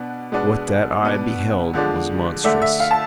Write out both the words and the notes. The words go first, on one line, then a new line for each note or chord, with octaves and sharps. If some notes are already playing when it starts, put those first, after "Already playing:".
What that eye beheld was monstrous.
Already playing: B2 B3 D4
B2 G#3 B3 D4
B2 B3 D4
D3 F3 G#3 D4
D3 A3 D4 E5
E5
F5
A5